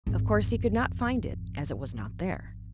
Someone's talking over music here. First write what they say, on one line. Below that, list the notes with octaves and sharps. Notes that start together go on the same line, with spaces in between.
Of course he could not find it, as it was not there.
G#1 F2